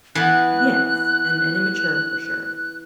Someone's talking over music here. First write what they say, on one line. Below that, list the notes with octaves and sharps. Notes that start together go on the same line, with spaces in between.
Yes, and and immature for sure.
E3 B3 F#6